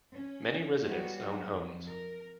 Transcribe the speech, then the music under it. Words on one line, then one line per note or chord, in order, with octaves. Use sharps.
Many residents own homes.
C#4
F#3 G3 B3 F#4
F2
A#4